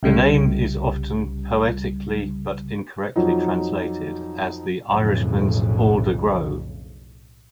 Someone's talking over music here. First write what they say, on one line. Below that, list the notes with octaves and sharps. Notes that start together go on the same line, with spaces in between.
The name is often "poetically", but incorrectly, translated as "The Irishman's Alder Grove".
C2 C#3 G3
F2 F#3 D#4
B1 F2 A2 C#3